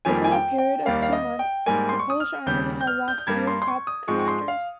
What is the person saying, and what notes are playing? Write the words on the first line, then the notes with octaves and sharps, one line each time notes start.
Within a period of two months, the Polish Army had lost three top commanders.
F2 D#3 G3 A#3 G#5
G#5
G5
G5
D#2 D#3 G3 A#3 F5
F5
D#5
G5
G#2 G3 A#3 G#5
C6
C#6
D#6
F6
D#2 C#3 G3 G6
G6
F6
G6
G6
G2 G3 A#3 G#6
C6
C6
C#6
D#6
G#2 F3 G#3 C#6
C#6
C6
F5